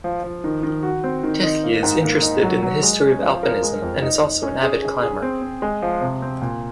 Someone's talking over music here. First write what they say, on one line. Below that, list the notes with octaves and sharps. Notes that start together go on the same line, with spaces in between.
Tichy is interested in the history of Alpinism and is also an avid climber.
F3
F3
D#3
D#3
F#4
C4
D#3
D#4
A#3
G#2
A#3
D#4
F#3
F#3
G#3
C#4
F3
A#4
G#3
F2
D#4
D#4
C#4
G#4
G#4
G#4
C4
C4
G#3
F3
C3
C4
A#2